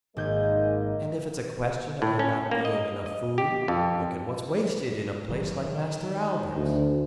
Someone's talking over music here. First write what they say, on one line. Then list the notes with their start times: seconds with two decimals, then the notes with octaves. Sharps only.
And if it's a question of there not being enough food, look at what's wasted in a place like Master Albert's!
0.17 G#1 G#3 A#3 A#4 D#5 G6 G#6
2.02 A2
2.19 C#4
2.51 A#3
2.65 D#5
3.06 D#5
3.38 G4
3.68 F2
5.29 F#1 D#3 F#3
5.65 D#3
6.55 D2